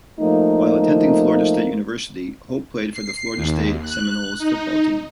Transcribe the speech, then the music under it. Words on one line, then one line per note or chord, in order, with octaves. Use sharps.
While attending Florida State University, Hope played for the Florida State Seminoles football team.
F3 A3 A#3 D#4
C7
D#2
F#6
D#4